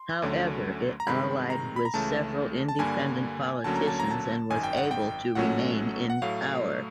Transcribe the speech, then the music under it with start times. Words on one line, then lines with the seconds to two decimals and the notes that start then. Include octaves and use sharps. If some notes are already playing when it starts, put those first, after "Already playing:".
However, it allied with several independent politicians and was able to remain in power.
Already playing: C6
0.22 D2 D3 F#3 A3 C#4
1.00 A#5
1.07 G2 D#3 G#3 C4 B5
1.50 A#5
1.76 B5
1.85 A#5
1.94 C#2 C#3 E3 A3 A5
2.68 A5
2.79 G2 D3 G3 A#3 G#5
3.64 D2 D3 F#3 A#3 C#4 A5
3.76 A#5
3.87 A5
4.00 A#5
4.11 A5
4.50 G#1 F#2 D#3 G#5
4.63 G5
4.77 F#5
4.91 G5
5.35 A1 A2 F#3 A3 C#4 F#5
6.10 F#5
6.22 A2 F#3 A3 F5